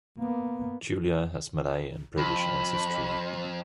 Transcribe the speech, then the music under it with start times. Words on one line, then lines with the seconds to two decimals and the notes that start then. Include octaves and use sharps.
Julia has Malay and British ancestry.
0.19 A#3 B3
2.17 F2 B5